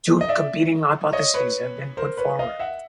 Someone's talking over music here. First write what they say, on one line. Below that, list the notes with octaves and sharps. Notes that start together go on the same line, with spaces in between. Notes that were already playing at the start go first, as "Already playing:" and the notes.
Two competing hypotheses have been put forward.
D#5
D5 E5
C#5 D#5
B4 C#5
A#4 C5
B4 C#5
D#5 F5
E5 F#5